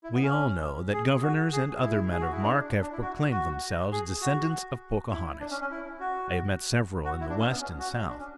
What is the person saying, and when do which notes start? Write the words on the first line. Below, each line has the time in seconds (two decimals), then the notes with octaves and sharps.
We all know that governors and other men of mark have proclaimed themselves descendants of Pocahontas; I have met several in the West and South.
0.04 E4
0.13 B3
0.23 C#4
0.93 G#4
1.22 F#4
1.52 G#4
1.82 E4
2.11 G#4
2.21 F#4
2.32 E4
2.42 D4
2.82 D4
2.93 E4
3.02 F#4
3.32 F#4
3.92 G#4
4.21 F#4
5.11 E4
5.40 D4
5.50 C#4
5.61 C#4
5.71 E4
6.00 F#4
7.05 F#4
7.20 E4
7.30 D4
7.40 C#4
7.50 B3
7.60 C#4
7.79 F#4
8.09 D4
8.19 C#4